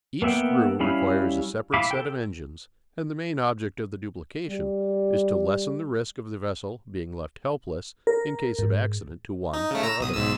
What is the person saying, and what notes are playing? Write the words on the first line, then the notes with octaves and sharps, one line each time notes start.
Each screw requires a separate set of engines and the main object of the duplication is to lessen the risk of the vessel being left helpless in case of accident to one or other.
A#3 B3 E5 F#5 G5
G3 C#4 E4 F5 B5
E4 F5 B5 D6
A4 G5
G3
A#4
G#2
D#4
C#3 A3
A#5 E6 A#6
B1 D#6
B1 G#2 E6